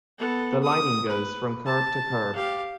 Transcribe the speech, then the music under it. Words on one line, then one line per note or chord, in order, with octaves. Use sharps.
The lighting goes from curb to curb.
B3 A4
D#6
B4
A5
G4 F5